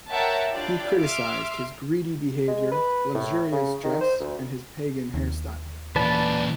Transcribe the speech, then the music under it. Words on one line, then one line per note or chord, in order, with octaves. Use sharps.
He criticised his greedy behaviour, luxurious dress and his pagan hair style.
A#4 C#5 E5 F#5 G5 A5
D4 E4 F4 G4 D5
E5 C6 D6 F6
G#3
B4
A2
C#3
D#3
C5
D2
D#2
A#2 E3 B4 D5 A5